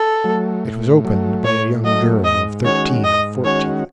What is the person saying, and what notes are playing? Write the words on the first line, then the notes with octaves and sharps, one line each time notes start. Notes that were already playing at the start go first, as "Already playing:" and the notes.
It was opened by a young girl of thirteen or fourteen.
Already playing: A4
F#3 A3
A2
F#3 A3
A2 C#5
F#3 A3 D#5
G#2 D#5
D#3 G#3 C#4 F#4 C#5
G#2 D#5
D#3 G#3 C#4 F#4 C#5